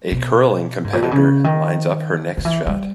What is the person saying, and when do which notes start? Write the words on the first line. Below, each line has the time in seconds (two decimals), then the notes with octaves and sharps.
A curling competitor lines up her next shot.
0.12 B2
0.84 G#2
0.93 A#2
1.02 B2
1.11 C#3
1.44 D#3
2.37 D#3
2.45 E3
2.66 G3